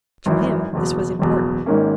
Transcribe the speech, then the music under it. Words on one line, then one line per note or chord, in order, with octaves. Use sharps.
To him this was important.
G#1 F#2 E3
F#1 E2 B2
F#1 E2 B2
G#1 G#2 D#3 A#3 C#4